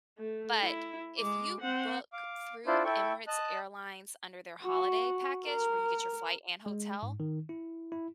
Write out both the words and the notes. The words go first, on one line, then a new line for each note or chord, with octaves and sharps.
but if you book through Emirates Airlines under their holiday package where you get your flight and hotel,
A3
E4
G#3 D6
C4 F#5
F5 D6
D4 E4 F4 C5 D5
E4 A4 G5 C#6
D#5 A5 F#6
F#4
A#4
G#3
G#2
D#3
E4
E4